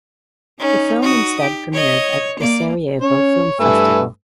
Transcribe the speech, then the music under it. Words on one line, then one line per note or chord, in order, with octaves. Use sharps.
The film instead premiered at the Sarajevo Film Festival.
C#4 D#4
F#4 D#6
G4
C#5 D#5
A#3 D5
C#4 C#5
G2 A3 B4 G#5 E6